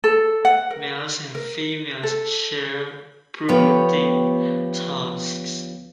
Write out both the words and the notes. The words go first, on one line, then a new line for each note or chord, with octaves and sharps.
Males and females share brooding tasks.
A4
F#5
A#4
A#4
A4
D2 F3 B3 G4 C#5 G5